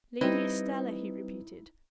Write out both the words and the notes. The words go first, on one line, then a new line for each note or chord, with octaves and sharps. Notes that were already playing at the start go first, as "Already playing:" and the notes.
"Lady Estelle," he repeated.
G3 C4 D#4 E4 B4 D#5